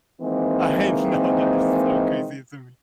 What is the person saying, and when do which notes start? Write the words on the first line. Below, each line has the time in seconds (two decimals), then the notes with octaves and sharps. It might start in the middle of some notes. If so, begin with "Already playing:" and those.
I know, that is so crazy to me.
0.22 D#3 E3 G#3 A#3 C4